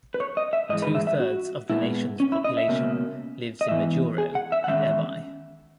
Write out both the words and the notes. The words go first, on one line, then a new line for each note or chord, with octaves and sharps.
Two-thirds of the nation's population lives in Majuro and Ebeye.
B4
C#5
D#5
E5
G#2 E3 G#3 D#5
B4
E5
E5
F#4
A#2 G#3 B3 E4
C#4
E4
D#5
E5
C#2 B2 A#3 C#4
D#5
G#2 E3 B3 E5
G#4
F#5
E5
F#5
E2 D#3 G#3 C#4 E5